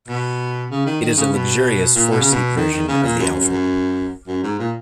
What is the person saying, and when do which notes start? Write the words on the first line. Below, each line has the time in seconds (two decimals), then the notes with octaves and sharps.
It is a luxurious, four-seat version of the Alphard.
0.08 B2
0.70 C#3
0.86 D#3
1.02 D#3
1.17 C#3
1.33 B2
1.95 A#2
2.10 B2
2.20 C#3
2.31 B2
2.56 D#3
2.73 D#3
2.88 C#3
3.03 A#2
3.19 F#2
3.29 F#2
3.40 F#2
3.50 F#2
4.27 F#2
4.43 G#2
4.59 A#2